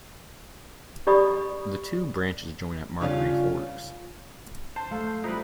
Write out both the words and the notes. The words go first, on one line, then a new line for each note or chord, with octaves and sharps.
The two branches join at Margaree Forks.
G4 D5 B5 D#6
G2 C#3 C#4 E4 F4 F5
C5 A5
A3 F5
F3 G3 D#4 E4 A#4 B4